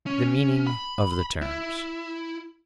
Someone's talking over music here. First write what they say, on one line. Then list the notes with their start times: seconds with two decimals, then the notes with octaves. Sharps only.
The Meaning of the Terms.
0.06 C#4
0.67 B5
1.42 E4